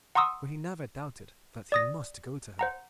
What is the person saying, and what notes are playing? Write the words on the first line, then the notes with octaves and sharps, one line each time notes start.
For he never doubted that he must go to her.
F#5 A#5 C6 C#6 D#6 E6
D5 D#6 A#6
C5 F#5 A#5